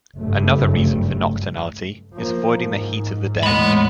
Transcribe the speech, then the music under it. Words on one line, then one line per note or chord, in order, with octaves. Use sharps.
Another reason for nocturnality is avoiding the heat of the day.
F#1 G2 A3
F3 A#3
G#2
E2 A2 G#3 F#5 B5